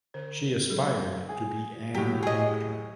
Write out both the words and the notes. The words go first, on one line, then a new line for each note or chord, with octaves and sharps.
She aspired to be an doctor.
D3 C5
F#3 G#3 D#4 G#4 A4
G#4
A2 F#3 G4
G#4 D#5